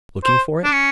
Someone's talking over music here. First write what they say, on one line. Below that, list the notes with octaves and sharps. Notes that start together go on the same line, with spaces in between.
"Looking for it?"
C5
D4
C#4